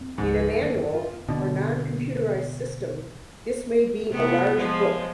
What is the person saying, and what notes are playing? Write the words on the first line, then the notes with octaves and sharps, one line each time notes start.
In a manual or non-computerized system this may be a large book.
C4
C#2 G#2 F3
B4
F#2 D#3 A#3 D4
D3
F4
B2 D3
C3 A3 B3
F3 G#3